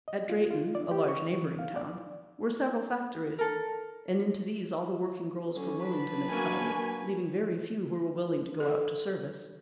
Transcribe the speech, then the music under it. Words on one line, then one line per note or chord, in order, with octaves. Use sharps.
At Drayton, a large neighbouring town, were several factories, and into these all the working girls from Willington had crowded, leaving very few who were willing to go out to service.
D#5
F4
F4
D5
G4
C#6
E3
F5
D5
A4 A#4
D3 F#3 C#4
F#3 D4 B4
A#3 F#4 G#5
A4